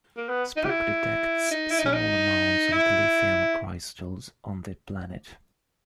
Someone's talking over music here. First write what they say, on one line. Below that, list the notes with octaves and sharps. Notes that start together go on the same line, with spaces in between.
Spock detects small amounts of dilithium crystals on the planet.
A#3
B3
D#4
G4
E4
D#4
E4
D#4
C#4
D#4
E4